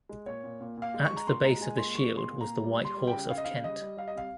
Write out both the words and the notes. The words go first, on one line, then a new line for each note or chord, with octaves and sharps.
At the base of the shield was the white horse of Kent.
G#3
A#2 C#5
A#2
A#2
A#2 F5
G#3
C#6
G#3
A#5
A#2 C6
G#3 A#5
G#3 G#5
A#2 C6
G#3 C#6
A#2
C6
A#2
A#5
A#2
G3
G3 C6
G3
G5
C#3
C#3 F5
D#5
C#3 F5
G3 D#5
G3
G3 F5
D#5
C3 F5